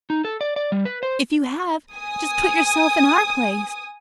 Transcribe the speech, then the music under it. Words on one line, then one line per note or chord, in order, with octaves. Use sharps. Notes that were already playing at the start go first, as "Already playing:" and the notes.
If you have, just put yourself in our place.
D#4
A4
D5
D5
G3
B4
C5
G#5 D#6